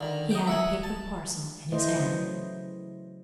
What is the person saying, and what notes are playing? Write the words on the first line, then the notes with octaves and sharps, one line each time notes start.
He had a paper parcel in his hand.
D3 D#3
D#5 G5
E5 F#5 G#5
A5
E3 A3 E4 C5 D#5
C#3 F#3 C5